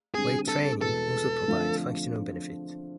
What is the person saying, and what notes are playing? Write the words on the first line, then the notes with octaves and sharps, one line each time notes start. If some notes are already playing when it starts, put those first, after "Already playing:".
Weight training also provides functional benefits.
D3 G3 C4 G#4
A4
E2 B2 G#3 B3 A4
D3 F3 A3 C4 F4